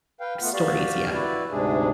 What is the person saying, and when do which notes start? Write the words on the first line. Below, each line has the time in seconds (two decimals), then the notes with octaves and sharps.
stories yet,
0.21 B4 F5 G5
0.41 A3 B3 F4 F#5
0.53 F#4 G4 D5 F5
1.14 E4 F#4 B4 D5
1.51 D2 G#2 C3 G#3 D4 G#4